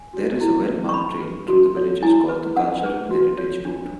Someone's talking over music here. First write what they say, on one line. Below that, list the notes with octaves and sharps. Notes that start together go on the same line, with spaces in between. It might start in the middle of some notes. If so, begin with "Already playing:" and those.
There is a well-marked trail through the villages called The Cultural Heritage Route.
Already playing: G#5
F#4 C#5
E4
B4
C#6
D4 B5
G#4 B4
F#4
A4 C#5
E4 G#5
B4
D4 F#5
G#4 B4
F#4
C#5
D4